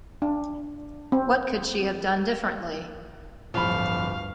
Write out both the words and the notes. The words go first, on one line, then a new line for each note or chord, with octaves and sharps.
What could she have done differently?
D4
C4
D1 D2 G2 F3 F5 B5